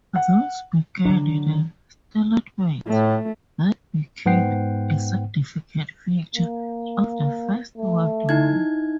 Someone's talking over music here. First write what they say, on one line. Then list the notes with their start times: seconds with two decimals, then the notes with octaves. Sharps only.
Thus began the stalemate that became a significant feature of the First World War.
0.16 F#5
1.05 D3 F#3 D4
2.87 A2 A3
4.26 G#2 B3 C5 F#5 G5 C7
6.35 A#3
7.78 A3
8.29 D#4 E4 G#6